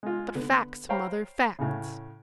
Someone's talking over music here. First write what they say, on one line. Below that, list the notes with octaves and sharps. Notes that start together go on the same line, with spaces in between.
"But facts, mother, facts!"
G#3 F4
D3 B3
C5 C#5 F5 G5 A#5 B5
A2 C#3